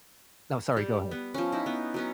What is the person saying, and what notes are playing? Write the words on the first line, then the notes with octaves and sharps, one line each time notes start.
No, sorry; go ahead.
G3
B3
F3 C#4
D#4 E4
B3
F#3 B3 C#4